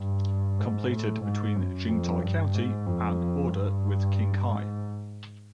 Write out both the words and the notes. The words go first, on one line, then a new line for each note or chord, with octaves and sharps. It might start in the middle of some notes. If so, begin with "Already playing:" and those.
Completed between Jingtai County and border with Qinghai.
Already playing: G2
G#2
A2
G#2
F#2
F2
G2
G#2
F2
G2
G#2